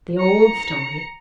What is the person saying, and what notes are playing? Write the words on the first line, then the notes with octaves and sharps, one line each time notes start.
The old story.
A#5 C#7